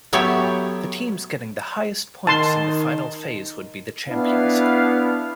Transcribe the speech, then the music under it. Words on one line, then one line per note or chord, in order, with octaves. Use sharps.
The teams getting the highest points in the final phase would be the champions.
F#3 A3 B3 G4 C#5 E5
D#3 A5 C6
B3 D4 E4 F5